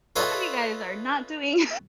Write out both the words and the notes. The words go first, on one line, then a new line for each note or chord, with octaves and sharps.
both of you guys are not doing you
F4 A4 B4 C#5 D#5 E5